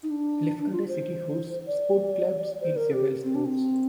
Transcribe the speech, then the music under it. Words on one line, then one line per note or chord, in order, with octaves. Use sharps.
Lefkada City hosts sport clubs in several sports.
D#4
D4
F4
C5
D5
C5
A#4
G4
C4
D4
C4